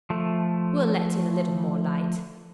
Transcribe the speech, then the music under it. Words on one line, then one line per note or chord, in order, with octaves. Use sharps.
We'll let in a little more light.
F3 A3